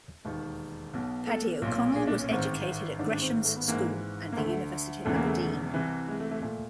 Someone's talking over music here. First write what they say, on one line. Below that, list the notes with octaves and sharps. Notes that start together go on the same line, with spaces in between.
Paddy O'Connell was educated at Gresham's School and the University of Aberdeen.
E1 D#2 D#3
B1 B2
A4
B1 A#2
G#4
D4
C#4
A1 G#2 D#3 C4
A1 G#2 D#3 D4
D4
C4
A3
B3
G#1 G#2 E3 A#3
A#3
D2 D3 A3
E1 E2 C#3 E3 A3
A#3
A3
C2 C3 E3
G#3
A3
A3
A#2 A3